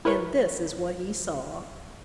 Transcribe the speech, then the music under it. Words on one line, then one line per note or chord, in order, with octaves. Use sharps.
And this is what he saw.
E4 A#4 B4 C#5